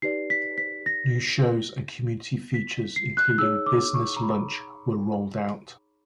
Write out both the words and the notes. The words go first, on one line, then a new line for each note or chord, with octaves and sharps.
New shows and community features including Business Lunch were rolled out.
D#4 G4 B4 D5 C7
B6
B6
A#6
B6
C7
F#6
D#4 G#4 C#5 E6
D6
C#6
A#5
B5